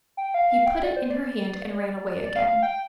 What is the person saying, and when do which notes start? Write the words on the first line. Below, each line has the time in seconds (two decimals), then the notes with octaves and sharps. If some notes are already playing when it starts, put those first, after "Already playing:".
He put it in her hand, and ran away again.
0.17 G5
0.34 F5
0.51 F5
0.66 G5
0.83 D5
0.97 C5
1.10 D5
2.25 D5
2.36 F5
2.46 F5
2.63 G5